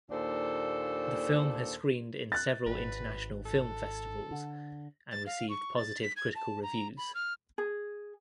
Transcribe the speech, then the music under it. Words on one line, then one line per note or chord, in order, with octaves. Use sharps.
The film has screened in several international film festivals and received positive critical reviews.
D#2 A#2 D4 A4 C5
F#6 A6
G#1 B4
A4
D3
A6
F5
C#6
A6
B6
G#6
A5
A#5
B5
F6
G#4